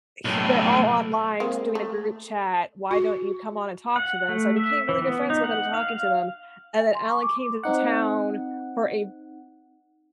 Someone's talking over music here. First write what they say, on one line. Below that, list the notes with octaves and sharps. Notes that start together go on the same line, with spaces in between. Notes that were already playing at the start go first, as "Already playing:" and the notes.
he they're all online doing a group chat, why don't you come on and talk to them?" So I became really good friends with them, talking to them, and then Alan came to town for a
B1 A2
G#3 A#3 C4
A3
F#4
F#5
A3
E5
E3
B3
D#4
F#5
F5
G#5
C6
C#6
D6
C4 D#4 F#5